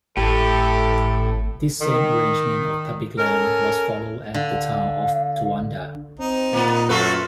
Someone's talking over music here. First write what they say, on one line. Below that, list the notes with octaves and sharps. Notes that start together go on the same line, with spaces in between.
This same arrangement of public land was followed at the town of Towanda.
G#1 A2 G4 A4
D#3
C#4 A4 A#4
D3 F5
C4 D#4
A#2 A#3 B3
F#2 F#3 A3 F4 F#4 A4 B4